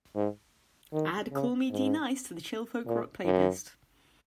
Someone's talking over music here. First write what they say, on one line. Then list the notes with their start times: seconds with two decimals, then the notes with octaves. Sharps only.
Add Call Me D-Nice to the Chill Folk Rock playlist.
0.15 G#2
0.93 D#3
1.32 C#3
1.70 G#2
2.86 A#2
3.25 F#2